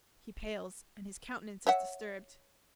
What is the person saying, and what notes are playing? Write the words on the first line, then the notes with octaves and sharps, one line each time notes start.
He pales, and his countenance is disturbed.
C#5 E5 F#5